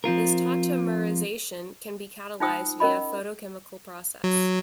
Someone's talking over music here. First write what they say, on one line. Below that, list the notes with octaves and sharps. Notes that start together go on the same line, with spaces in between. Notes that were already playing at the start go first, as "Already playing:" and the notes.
This tautomerization can be catalyzed via photochemical process.
F3 C4 F4 A#4
D#4 F4 C5 G5 D#6 E6
C#4 A#4 D#5 B5
F#3